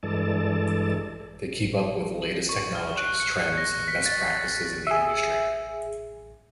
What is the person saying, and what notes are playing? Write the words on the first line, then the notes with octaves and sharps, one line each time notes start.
They keep up with the latest technologies, trends, and best practices in the industry.
G2 E3 G#3 A4 D5 A5
F#7
C#6
F6
F#6
C#7
A#6
B6
A6
G#4 E5